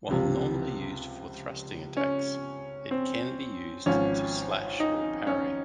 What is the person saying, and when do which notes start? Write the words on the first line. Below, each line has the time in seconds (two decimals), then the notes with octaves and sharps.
While normally used for thrusting attacks, it can be used to slash or parry.
0.09 C#2 C3 F3
1.97 C#4
2.91 C4
3.86 G#1 G#2 F3 C#4
4.80 D#4
5.27 C#4